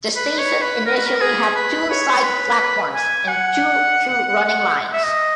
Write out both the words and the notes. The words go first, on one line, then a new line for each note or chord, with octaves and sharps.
The station initially had two side platforms and two through running lines.
B4
C#5
B4
A#4
B4
A#4
G#4
B4
C#5
B4
G#5
F#5
E5
D#5